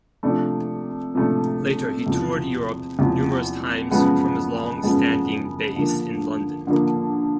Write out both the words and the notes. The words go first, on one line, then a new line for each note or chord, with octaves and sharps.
Later, he toured Europe numerous times from his long-standing base in London.
C3 F3 A3 D4
C3 F3 A3 D4
E2 C3 F3
E2 C3 F3
F#2 C#3 F3 G#3 B3
F#2 C#3 F3 G#3 B3
D3 F3 A#3
D3 F3 A#3